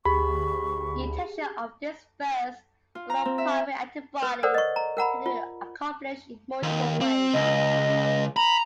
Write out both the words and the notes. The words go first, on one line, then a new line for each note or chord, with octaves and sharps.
Detection of this first or "primary antibody" can be accomplished in multiple ways.
D2 G4 G#4 B5 C#6
F4
A#5
C4
E5
B4
A4 A#4 C5 D5 F#5
D#5 C#6
A#5
A#4 F#5 A#5 B5
F4
D#2
C4
C#2 D#5
A#5 B5